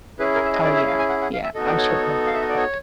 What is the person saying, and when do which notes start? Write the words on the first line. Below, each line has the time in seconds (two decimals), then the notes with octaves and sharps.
Oh, yeah, yeah, I'm sure that's just something
0.19 C#4 E4 G#4 B4
0.35 A#4
0.45 E5
0.53 D#5
0.64 D5
0.76 E5
0.87 F5
0.99 G#5
1.09 F#5
1.22 F#5
1.33 F5
1.43 E5
1.54 B3 D#4 F#4 A4 D#5
1.67 D5
1.78 C#5
2.27 F5
2.34 E5
2.42 D#5
2.49 D5
2.57 C#5